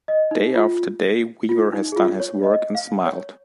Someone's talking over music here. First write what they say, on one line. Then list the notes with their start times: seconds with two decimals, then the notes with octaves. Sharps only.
Day after day Weaver has done his work and smiled.
0.08 D#5
0.31 D#4
0.55 F4
1.49 F4
1.73 D#4
1.92 G#4
1.96 F4
2.20 C#5
2.43 D#5
2.75 F5
3.06 C#5